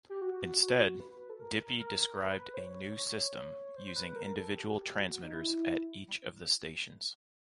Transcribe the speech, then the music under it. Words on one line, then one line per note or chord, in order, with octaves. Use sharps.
Instead, Dippy described a new system using individual transmitters at each of the stations.
G4
F#4
F#4
B4
A4
A#4
A#4
A#4
B4
C5
C#5
C#5
C5
C5
B4
A#4
A#4
A4
G4
F#4
G4
F#4
D#4
E4